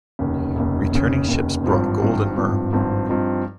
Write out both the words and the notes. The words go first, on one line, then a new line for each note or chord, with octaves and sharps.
Returning ships brought gold and myrrh.
F1 D#2 C#3
F1 D#2 C#3
F1 D#2 C#3
F1 D#2 C#3
G#1 G2 F3 C4
G#1 G2 F3 C4
G#1 G2 F3 C4
G#1 G2 F3 C4
G2 F3 C4 D#4